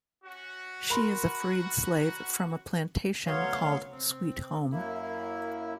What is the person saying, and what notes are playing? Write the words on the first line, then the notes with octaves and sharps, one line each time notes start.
She is a freed slave from a plantation called Sweet Home.
C#4 F#4
A#4 B5 C6
D2 F#3 B3 C#5 F5 C6
C4
F#2 A#3 E4